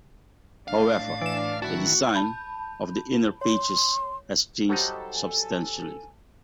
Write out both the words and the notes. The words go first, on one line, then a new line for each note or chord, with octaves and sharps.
However, the design of the inner pages has changed substantially.
A2 D4 F5
E3 D5 E7
D#3 E4 F#4 A5
A5 B5 G6
C#5 C6
F#3 G3 D#4 F#4 G4 A4 C5 D#5
G#5